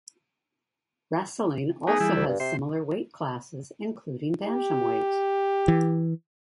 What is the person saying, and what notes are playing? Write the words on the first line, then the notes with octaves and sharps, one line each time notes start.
Wrestling also has similar weight classes including bantamweight.
A#3 B3 D#4 G#4
E3 G3 E4
D2
G2
C3 C5
G4
E3